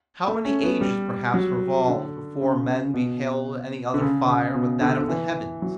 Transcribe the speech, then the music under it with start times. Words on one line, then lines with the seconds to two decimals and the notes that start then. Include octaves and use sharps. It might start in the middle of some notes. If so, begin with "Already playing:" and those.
How many ages perhaps revolved, before men beheld any other fire but that of the heavens?
0.28 A3
0.45 C#4
0.63 B3
0.81 G3
1.34 F#3
1.88 D3
2.41 C#3
2.94 B2
3.94 D3
4.01 C#3
4.28 C#3
4.55 B2
4.81 D3
5.01 D3
5.09 E3
5.62 F#3